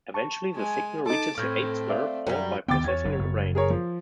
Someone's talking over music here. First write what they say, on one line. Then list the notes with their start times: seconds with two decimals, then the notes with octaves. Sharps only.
Eventually the signal reaches the eighth nerve, followed by processing in the brain.
0.14 A5 C#6
0.53 G#3 G#5
1.06 D#4 A4 A5 D6
1.38 A2 A3 C4 F6 G6 G#6
1.90 D5 E5 F5
2.27 F#2 G3
2.68 D#2 D3 B3 G5 D6 A6
2.84 E2 C#5 G#6
3.05 F#1 F#3
3.19 F#1
3.55 G#4 A#4 C#5
3.70 F3